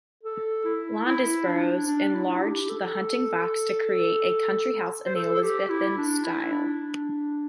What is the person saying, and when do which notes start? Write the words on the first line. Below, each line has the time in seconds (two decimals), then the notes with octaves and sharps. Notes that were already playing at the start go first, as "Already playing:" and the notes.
Londesborough enlarged the hunting box to create a country house in the Elizabethan style.
0.23 A4
0.64 E4
1.05 E4
1.46 D4
1.87 D4
2.14 E4
2.24 D4
2.32 E4
2.41 G4
2.69 A4
5.05 C5
5.15 A4
5.34 A4
5.43 G4
5.69 E4
5.97 D4
6.24 E4
6.52 D4